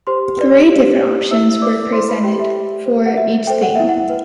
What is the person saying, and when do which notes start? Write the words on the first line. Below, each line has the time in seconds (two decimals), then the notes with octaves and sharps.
Three different options were presented for each theme.
0.07 G4 C5 C6
0.38 B4 D5
0.69 G4
1.00 C5
1.31 E4 E5 E6
1.62 B4 D5 D6
1.92 E4 C5 C6
2.08 B4 B5
2.24 G4 A4 D5 G5
2.39 E5
2.55 G4
2.86 C5
3.06 F#5
3.17 F#4 E5
3.47 A4 C5 G5
3.62 F#5
3.75 E4 E5
3.89 F#5
4.10 B4